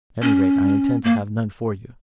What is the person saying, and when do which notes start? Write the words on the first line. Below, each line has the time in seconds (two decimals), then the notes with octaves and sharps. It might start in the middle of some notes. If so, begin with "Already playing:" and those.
At any rate, I intend to have none for you.
0.22 C#4
1.04 A#3